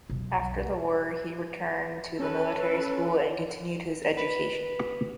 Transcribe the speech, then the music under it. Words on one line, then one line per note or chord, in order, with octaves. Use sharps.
After the war he returned to the Military School and continued his education.
B1 E2
C#4 A4 B4
B4